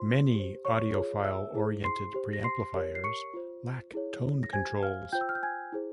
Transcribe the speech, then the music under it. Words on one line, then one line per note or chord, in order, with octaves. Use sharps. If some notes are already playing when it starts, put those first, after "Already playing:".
Many audiophile-oriented preamplifiers lack tone controls.
Already playing: F4 C5 C6
G4 C5
C#5 C#6
F4 G#4 C#5
E5 E6
E4 G#4 C5
C6 C7
G4 C5
A#6
C6 C7
G4 A#4 C#5
C7
C#6 C#7
F4 C5
E4 G#4 C#5
A#6
G4 C5 G#5 G#6
F5 F6
F4 C5 G5 G6
E6
F6
G6
G#5 G#6
E4 G#4 C5